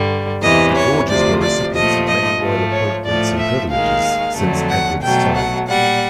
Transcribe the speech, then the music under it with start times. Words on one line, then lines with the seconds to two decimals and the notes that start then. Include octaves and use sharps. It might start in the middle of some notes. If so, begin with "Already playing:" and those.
The Gorges were recipients of many royal appointments and privileges since Edward's time.
Already playing: G2 D3 G3
0.41 E2 C3 E3 D#5
0.75 C#5
1.08 D2 C3 F3 D5
1.41 D5
1.73 A#2 F3 A3 D#5
2.06 D#5
2.39 G#2 F3 A3
2.71 C#5
3.04 A2 F3 A3 D5
3.38 E5
3.70 D#2 D#3 G#3 F5
4.37 F2 D3 F#3 A3
4.69 F#5
5.01 B2 F#3 A3 G5
5.34 F#5
5.67 A#2 G3 F#5